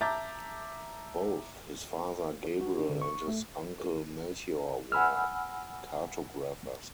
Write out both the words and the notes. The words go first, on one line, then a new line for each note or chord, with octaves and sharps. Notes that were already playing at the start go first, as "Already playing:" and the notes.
Both his father Gabriel and his uncle Melchior were cartographers.
E5 A5 A#5 D6 G6 A6
F#4
D4
D3
C#6
A3
F#5 G#5 B5 E6 F6